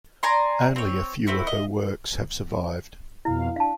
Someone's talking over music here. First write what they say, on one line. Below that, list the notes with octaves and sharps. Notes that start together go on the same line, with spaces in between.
Only a few of her works have survived.
D5 G#5 A#5 C6
C4 C#5
A3 C4 E4 F#4
D#5
F2 B2 E4 F5
D4 F5 A5